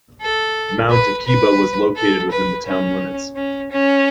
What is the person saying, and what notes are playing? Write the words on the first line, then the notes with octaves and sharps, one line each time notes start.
Mount Akiba was located within the town limits.
A4
B4
B4
A4
B4
C#4
C#4
C#4